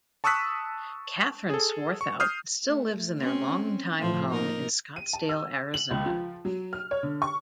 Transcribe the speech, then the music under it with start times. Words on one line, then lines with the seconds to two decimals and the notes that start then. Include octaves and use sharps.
Kathryn Swarthout still lives in their longtime home in Scottsdale, Arizona.
0.24 A5 C#6 D#6 E6 F#6 B6
1.50 G#4 A4
2.01 C#6
2.20 D#6 F6 G6 C7
2.65 A3
3.18 C4 C#4
4.00 A2 F3 A3
4.28 A#3 D#4 A#4
4.96 D#7
5.13 A5
5.29 E6
5.74 F#7
5.91 C#2
6.06 F3
6.45 F#3
6.73 F6
6.91 C#5
7.03 D3
7.22 C#6